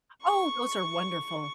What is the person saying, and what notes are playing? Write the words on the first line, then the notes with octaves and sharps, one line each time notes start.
Oh, those are wonderful.
C#6